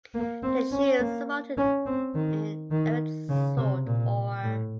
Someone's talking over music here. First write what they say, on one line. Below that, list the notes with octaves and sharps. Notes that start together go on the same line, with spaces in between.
The shield surmounted an erect sword or.
A#3
C4
C#4
A#3
C#4
C4
D#3
D#3
C#3
C3
A#2
A2